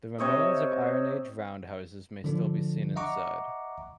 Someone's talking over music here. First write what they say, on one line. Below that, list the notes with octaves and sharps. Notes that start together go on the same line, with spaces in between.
The remains of Iron Age round houses may still be seen inside.
C3 C#5 D#5 E5
D3 F3 D4
D#5 E5 F#5 A#5 C#6 D6